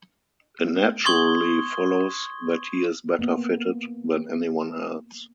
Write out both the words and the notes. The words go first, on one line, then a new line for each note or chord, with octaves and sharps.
It naturally follows that he is better fitted than anyone else.
C6 C#6 D#6 G#6 G7
A#3 B3